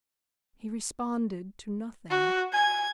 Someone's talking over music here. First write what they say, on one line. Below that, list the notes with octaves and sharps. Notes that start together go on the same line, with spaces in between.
He responded to nothing.
F#4
G#5 G#6